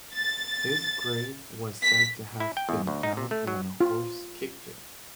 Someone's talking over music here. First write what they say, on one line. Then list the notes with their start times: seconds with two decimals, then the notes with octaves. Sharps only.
His grave was said to have been found when a horse kicked it.
0.15 A6
1.83 B6
2.40 E4
2.57 G5
2.69 E2
2.87 D2
3.03 D#4
3.17 C3
3.31 A3
3.47 F#3
3.81 F4